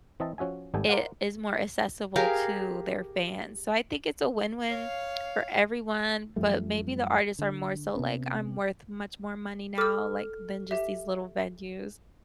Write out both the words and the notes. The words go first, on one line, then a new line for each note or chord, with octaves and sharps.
it is more accessible to their fans. So I think it's a win-win for everyone. But maybe the artists are more so like, "I'm worth much more money now, like, than just these little venues."
E3 C4 D#5 E5 A5
F3 C#4 F#4 E5 G#5
G#1 G3 B3 A4 G5 G#5
A#4 C5 D5 F5 F#5
G4 G#4 A#4 F5
C#5 F5
F#2 F3 G3 A3
D3
C3 B3 C#4
A4 D6 E6 F6
G4 E5